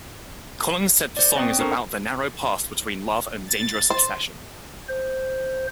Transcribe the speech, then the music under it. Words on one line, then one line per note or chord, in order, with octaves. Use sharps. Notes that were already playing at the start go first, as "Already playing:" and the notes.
Collins said the song is about the narrow path between love and dangerous obsession.
C5 D5
B3 C4 G5 D#6
D4 A4 A#4 C5 A#5 C#6
A6
C5
C5